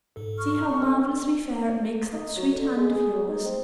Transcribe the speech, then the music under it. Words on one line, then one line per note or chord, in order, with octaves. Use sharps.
See how marvelously fair it makes that sweet hand of yours.
G#2 A4
C#6 F6
A4 D#5 G#5
D#4
F#3
D3
G#3
G#4
D#4
C4